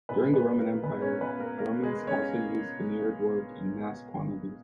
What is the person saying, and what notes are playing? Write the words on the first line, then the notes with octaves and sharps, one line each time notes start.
During the Roman Empire, Romans also used veneered work in mass quantities.
A#2 G#3 B3 B4
B3 B4
A#3 A#4
B3 B4
C#4 C#5
B3 B4
A#3 A#4
A#3 A#4
G#3 G#4
C#4 C#5